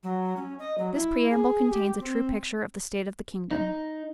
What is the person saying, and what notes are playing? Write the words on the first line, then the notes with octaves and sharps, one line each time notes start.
This preamble contains a true picture of the state of the kingdom.
F#3
C#4
D#5
F#3
E4
G#4
G4
C4
D#4